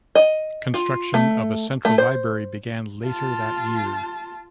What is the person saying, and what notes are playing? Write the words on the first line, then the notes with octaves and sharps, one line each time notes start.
Construction of a Central Library began later that year.
D#5
F4
A3
A3
C5
F4 A5